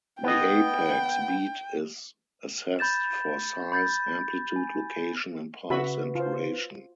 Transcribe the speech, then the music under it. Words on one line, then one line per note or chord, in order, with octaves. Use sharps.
The apex beat is assessed for size, amplitude, location, impulse and duration.
B3 D#5 G5
B5 G6 A6 E7
B5 G6 A6
G#5
C#3 F#4 B4 E5 B5
F4 C5